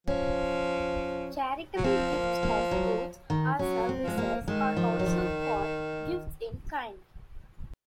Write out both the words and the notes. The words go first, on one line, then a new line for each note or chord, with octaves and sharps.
Charitable gifts of goods or services are also called gifts in kind.
F3 C#4
F#3
F3 C4
A#3
A#3
F#3
D#3
F#3 C#4
C4
F3 G#3
A#3
D#3 G#3
F3
F#3
F3